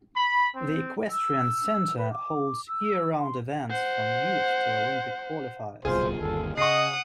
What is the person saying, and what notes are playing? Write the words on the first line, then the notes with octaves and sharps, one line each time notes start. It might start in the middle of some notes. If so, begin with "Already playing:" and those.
The equestrian center holds year-round events from youth to Olympic qualifiers.
B5
C4
E6
B4
D6
E6
C6
C5 F#5
D1 C2 B2 F4 G#4 C5
G1 D#2 A4
C#3 D#5 F#5 C#6 D#6 C7